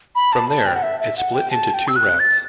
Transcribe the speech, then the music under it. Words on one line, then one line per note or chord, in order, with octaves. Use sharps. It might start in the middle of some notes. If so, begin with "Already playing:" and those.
From there, it split into two routes.
B5
A5
A5
G5
F#5
E5
E5
F#5
G5
A5
G5
E6
F#6
A6